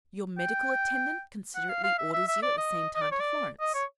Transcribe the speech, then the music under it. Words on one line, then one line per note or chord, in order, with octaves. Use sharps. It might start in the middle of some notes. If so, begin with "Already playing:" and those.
Your medical attendant considerately orders you at the same time to Florence.
G5
F#5
F5
F5
E5
E5
E5
D5
D#5
D#5
D5
C#5
D5
D#5
C#5